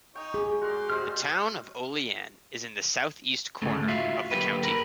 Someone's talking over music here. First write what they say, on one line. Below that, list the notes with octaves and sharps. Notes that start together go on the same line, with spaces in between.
The town of Olean is in the southeast corner of the county.
D#4 C#5 G5
G4 G#4
F#4 A#4 D5 C6
G#3 F#4 G4 C5 G5 F6
D2 G#2 C#3 A3
F4 F#4 E5 F5
D3 F#3 A#3 F4 G4 B4
A#4 B5